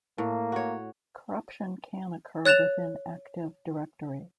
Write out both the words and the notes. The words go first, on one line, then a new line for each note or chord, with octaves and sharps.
Corruption can occur within Active Directory.
A2 A#3
F#4 C#5
C#5 F#6 A6 E7 F7